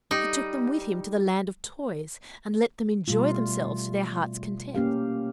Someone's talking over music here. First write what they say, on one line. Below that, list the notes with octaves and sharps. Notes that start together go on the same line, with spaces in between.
He took them with him to the Land of Toys and let them enjoy themselves to their heart's content.
G3 D#4
B2 G3 A3 F4
A#3 C#4 G4 F5